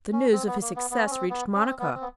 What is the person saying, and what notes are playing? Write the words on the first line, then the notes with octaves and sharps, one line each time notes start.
The news of his success reached Monica.
C#4
C4
B3
A#3
B3
B3
C#4
C4
B3
C#4
C4
B3
C4
B3